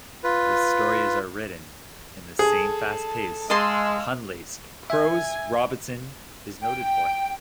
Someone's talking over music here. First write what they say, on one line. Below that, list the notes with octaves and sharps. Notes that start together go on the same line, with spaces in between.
The stories are written in the same fast-paced, pun-laced prose Robinson is noted for.
F4 B4
G#4 A4 A5
G#3 D#5 F5 A5 C6 E6
E5 G#5
G5